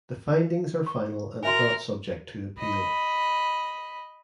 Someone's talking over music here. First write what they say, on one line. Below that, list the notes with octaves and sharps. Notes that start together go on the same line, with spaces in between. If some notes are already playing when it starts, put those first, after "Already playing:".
The findings are final and not subject to appeal.
C#6
F#4 A#4 E5 G#5
D#5 B5